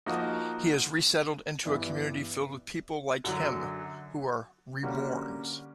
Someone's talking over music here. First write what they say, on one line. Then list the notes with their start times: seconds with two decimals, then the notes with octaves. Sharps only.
He is resettled into a community filled with people like him who are "reborns".
0.06 F3 A#3 D#4 F#4
1.65 G2 E3 G3 B3 E4
3.24 F#2 D3 F#3
4.83 D3 G3 A#3 C#4 F#4